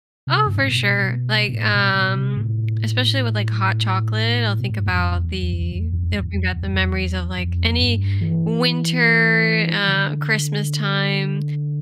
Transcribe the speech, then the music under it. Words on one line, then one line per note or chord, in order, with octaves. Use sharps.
oh, for sure. Like, um, especially with, like, hot chocolate, I'll think about the it'll bring back the memories of, like, any winter, uh, Christmas time
C3
G2
A2
B2
B2
A2
B2
B2
C3
A2
B2
A2
G2
F2
E2
E2
F2
E2
F2
E2
F2
E2
F2
E2
F2
E2
F2
E2
F2
E2
F2
G2
E3
D3